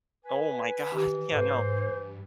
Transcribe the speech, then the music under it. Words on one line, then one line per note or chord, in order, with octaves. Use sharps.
Oh my god, yeah, no.
B4 G#5
D#3 E3 G4
G#2 A4 B4 C5 F5
G2